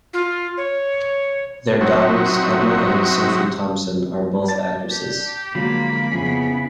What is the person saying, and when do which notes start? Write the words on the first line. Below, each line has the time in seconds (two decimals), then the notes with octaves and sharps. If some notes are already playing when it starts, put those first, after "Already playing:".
Their daughters, Emma and Sophie Thompson, are both actresses.
0.13 F4
0.57 C#5
1.81 F#3 C4 D#4 F#4 E5
4.48 D5 A5 A6
4.91 G4
5.55 D3 F3 F#3 G#3 A#3 B5
6.12 F2 C#3 B3 E4 G#4